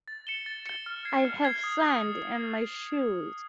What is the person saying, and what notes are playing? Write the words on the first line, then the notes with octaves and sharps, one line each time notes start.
I have sand in my shoes!
A6
C#7 E7 G7
A6
C#7 E7 G7
F6
G#6 C7
F6
G#6 C7
D#6